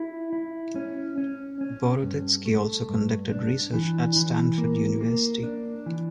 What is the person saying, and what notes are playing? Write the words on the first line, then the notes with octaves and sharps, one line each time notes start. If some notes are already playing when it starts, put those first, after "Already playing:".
Boroditsky also conducted research at Stanford University.
Already playing: E4
E4
C#4
C#4
C#4
G2
A3
G2
D4
E3
E3
A#3
A#3
D4
E3